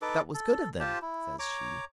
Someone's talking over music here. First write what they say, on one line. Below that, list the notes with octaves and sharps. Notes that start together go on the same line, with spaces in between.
'That was good of them,' says she.
D#4 A4 B4 D6
A4
F4 G4 C5 A5
E4
C#5 A#5 D6